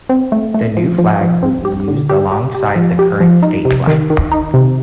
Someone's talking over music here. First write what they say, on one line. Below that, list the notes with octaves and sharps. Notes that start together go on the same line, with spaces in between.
The new flag would be used alongside the current state flag.
C4
A3
A3
F3
F3
F3
C4
G4
D3
G4
G4
G4
F3
G4
F3
D#4
C3
D#3
D#3
D#4
C3